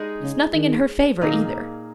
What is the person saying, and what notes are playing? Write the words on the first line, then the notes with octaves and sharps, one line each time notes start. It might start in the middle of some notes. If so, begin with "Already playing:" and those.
It's nothing in her favour, either.
Already playing: G#3 D#4 G#4
C#3
D#3
A#2 D#3 A#3 D#4 G#4